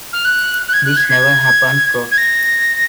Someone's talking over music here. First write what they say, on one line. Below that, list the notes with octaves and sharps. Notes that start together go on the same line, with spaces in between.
This never happened though.
F6
F#6
F#6
G#6
F#6
G#6
G#6
G#6
A#6